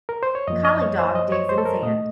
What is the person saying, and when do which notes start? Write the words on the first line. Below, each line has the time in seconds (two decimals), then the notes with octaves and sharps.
Collie dog digs in sand.
0.09 A#4
0.23 C5
0.35 C#5
0.48 F#2 F3 A#3 D#5
0.65 D#5
0.82 C#5
0.99 C5
1.15 D#5
1.32 C#5
1.49 C5
1.58 A4
1.65 A#4
1.83 A#2 A3 D#5